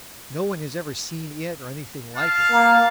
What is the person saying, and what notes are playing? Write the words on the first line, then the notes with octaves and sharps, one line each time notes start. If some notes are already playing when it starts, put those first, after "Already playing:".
No one has ever seen it or anything like it.
F5 A5
A#3